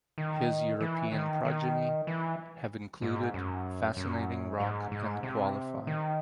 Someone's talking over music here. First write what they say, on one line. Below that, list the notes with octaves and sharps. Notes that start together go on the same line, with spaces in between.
His European progeny have included Fascinating Rock and Qualify.
D#3
E3
D#3
D#3
E3
G#2
F#2
F#2
G#2
G#2
C3
D#3